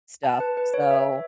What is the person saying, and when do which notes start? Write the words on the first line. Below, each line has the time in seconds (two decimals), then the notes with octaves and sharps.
stuff so,
0.23 A5
0.40 B4
0.57 B4
0.74 C#5
0.90 E5